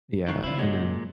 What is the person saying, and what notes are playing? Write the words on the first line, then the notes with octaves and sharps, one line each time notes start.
yeah. And then
B1 D#3 C#6 F#6 C7
C#3 C4 D4 E4 F4
A#2 G#3 F#4 C#5 D#5